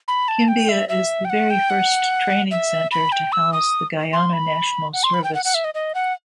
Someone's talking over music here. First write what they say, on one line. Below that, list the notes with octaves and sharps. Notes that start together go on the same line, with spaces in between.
Kimbia is the very first training center to house the Guyana National Service.
B5
A5
G5
E5
E5
G5
F#5
G5
F#5
E5
B5
G5
E6
D#6
C6
B5
F#5
C6
B5
G5
F#5
F#5
E5
D#5
D#5
F#5